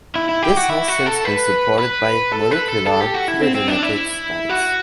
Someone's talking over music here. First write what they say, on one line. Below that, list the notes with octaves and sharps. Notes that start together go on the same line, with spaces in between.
This has since been supported by molecular phylogenetic studies.
E4
E4
G4
F#4
E4
F#4
A4
B4
B4
A4
B4
A4
A4
G4
F#4
E4
C4
C4
D4
E4
F#4